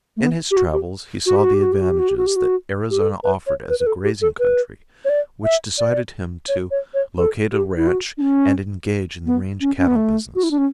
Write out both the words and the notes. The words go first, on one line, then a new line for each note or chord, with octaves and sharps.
In his travels he saw the advantages that Arizona offered as a grazing country, which decided him to locate a ranch and engage in the range cattle business.
A3
B3
G4
F#4
G4
F#4
G4
F#4
G4
F#4
G4
F#4
G4
F#4
G4
F#4
G4
F#4
G4
A4
B4
C#5
B4
B4
A4
G4
A4
B4
C#5
D5
E5
D5
C#5
C#5
C#5
A4
G4
E4
F#4
D4
C#4
B3
C#4
C#4
B3
A3
F#4
E4
D4
C#4